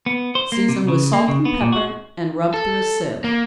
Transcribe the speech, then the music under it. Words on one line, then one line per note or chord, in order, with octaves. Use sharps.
Season with salt and pepper and rub through a sieve.
B3
C5
A#3
C3
C#3
A#3
C#3
B3
A#2
F#4
A4
A#3